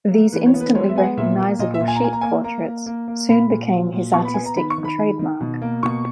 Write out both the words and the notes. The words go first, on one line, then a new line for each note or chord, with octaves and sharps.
These instantly-recognizable sheep portraits soon became his artistic "trademark".
A#3
E3 B4
C#5
B3
B4
G#3 C#5
E5
B3 G#5
F#5
A#2 E5
A#3
A#2 D#5
E5
A#2
G#5
A#5
A#3 G#5
A#5
A#3 G#5
A#3 A#5
A#3
A#3
A#3
A#2 B5
A#2
F#3
A#2
B3 C#6
B5
B3 G#5
A#5
D#3 B5
C#6
D#3
B5
D#3
D#3
B2
A#3
B2 C#6